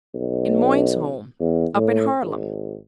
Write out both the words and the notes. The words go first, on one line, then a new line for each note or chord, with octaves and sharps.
"In Moyne's home--up in Harlem."
B1
E2
A2
G#1